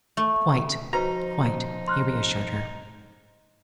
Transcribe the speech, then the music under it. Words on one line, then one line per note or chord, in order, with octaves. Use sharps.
"Quite--quite," he reassured her.
A3
F3 D#4 F#4 B4 C5 A#5
C6 F6 F#6